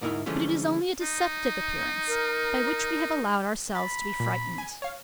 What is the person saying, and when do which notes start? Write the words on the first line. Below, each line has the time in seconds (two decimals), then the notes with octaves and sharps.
But it is only a deceptive appearance by which we have allowed ourselves to be frightened.
0.01 D2 G#2 D#4 E4 A#4 E5
0.26 D3 E3 F3 G#3 A3 C#4
1.01 D#4
2.08 A#4
3.75 B5 A6
4.20 A#2
4.58 G#5
4.82 C#5 F5